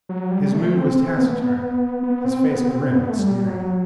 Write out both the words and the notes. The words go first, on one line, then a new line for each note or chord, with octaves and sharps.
His mood was taciturn; his face grim and sneering.
F#3
G3
G3
A3
C4
C4
B3
A3
B3
B3
C4
B3
C4
B3
A3
G3
F#3